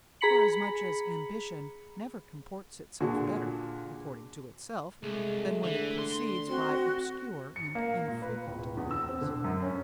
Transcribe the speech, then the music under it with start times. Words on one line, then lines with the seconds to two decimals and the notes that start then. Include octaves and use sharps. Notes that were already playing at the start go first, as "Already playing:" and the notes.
Forasmuch as ambition never comports itself better, according to itself, than when it proceeds by obscure and unfrequented ways.
0.21 G#4 A#5 B5 B6 C#7 F#7
3.00 A#2 D3 F#4 G#4
5.03 C2 G#3 A3
5.63 D3 E3
5.98 C6
6.49 C4 F#4
7.56 C#7
7.75 A#3
8.08 A#2
8.22 B4
8.47 D1
8.77 E2
8.91 E6
9.09 C4
9.21 D3
9.44 F#2
9.62 C#4